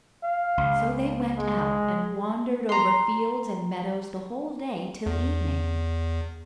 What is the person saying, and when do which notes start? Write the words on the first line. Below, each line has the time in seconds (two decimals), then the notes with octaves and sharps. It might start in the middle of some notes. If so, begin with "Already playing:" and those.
So they went out, and wandered over fields and meadows the whole day till evening.
0.23 F5
0.58 C#2
1.37 G#3
2.69 A#5 C6
5.06 E2